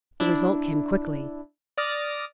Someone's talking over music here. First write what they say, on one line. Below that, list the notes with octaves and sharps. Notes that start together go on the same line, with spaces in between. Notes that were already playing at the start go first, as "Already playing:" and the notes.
The result came quickly.
D4 E4
D5 D6 D#6 F6 A#6